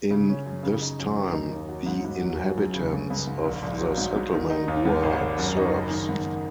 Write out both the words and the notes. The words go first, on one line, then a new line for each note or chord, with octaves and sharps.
In this time, the inhabitants of the settlement were Serbs.
C#3
C#4
F#2
C#3
D#4
F#2
D#3
D#4
D#2
F#3
G#2
G#2
F#3
F#2
F#2
C#3
C#2
C#2
G#2
A#1
A#1
F#3
G#2
G#2
D#3
D#4
D#2
G#2
G#1
G#1
F#2
D#4
F#1
D#3
G#2